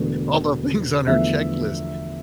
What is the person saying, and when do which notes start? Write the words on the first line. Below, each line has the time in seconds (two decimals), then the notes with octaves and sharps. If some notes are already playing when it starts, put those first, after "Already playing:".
all the things on her checklist,
Already playing: E1 E2 D3 A3
1.07 E2 D3 F3 A3 E5